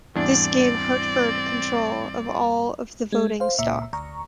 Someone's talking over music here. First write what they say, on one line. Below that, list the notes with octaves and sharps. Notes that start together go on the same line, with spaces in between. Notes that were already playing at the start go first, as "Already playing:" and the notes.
This gave Hartford control of all of the voting stock.
E2 G#2 G3 C4 D4 D5
G#3
C5 F5
C#2 A#2 E5
D2 A#5 C#6